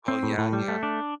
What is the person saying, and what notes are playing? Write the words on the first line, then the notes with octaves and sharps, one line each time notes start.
Oh, yeah, yeah.
C4
A2
A2
G3
A3
D4